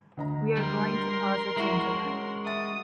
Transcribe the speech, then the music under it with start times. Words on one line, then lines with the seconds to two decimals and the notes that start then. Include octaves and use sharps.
We are going to Possets in July.
0.17 D2 D#5 A#5
0.57 G3 A#4 C6
1.57 G#3 E4 F#4
2.04 C#4
2.46 E5 D#6 A6